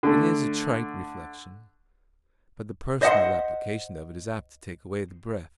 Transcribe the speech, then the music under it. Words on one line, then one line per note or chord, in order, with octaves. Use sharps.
It is a trite reflection, but the personal application of it is apt to take away the breath.
D3 A3
C5 D#5 E5 F#5 C6